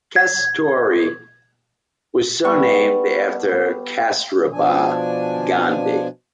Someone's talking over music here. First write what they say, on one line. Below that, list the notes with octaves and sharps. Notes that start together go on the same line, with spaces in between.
Kasturi was so named after Kasturba Gandhi.
G#6
G3 B3 A4 C#6
B2 F3 D4 G#5